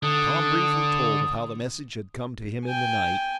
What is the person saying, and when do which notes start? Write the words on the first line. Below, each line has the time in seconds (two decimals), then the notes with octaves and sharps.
Tom briefly told of how the message had come to him in the night.
0.03 D3 D#6
2.64 G5 G#5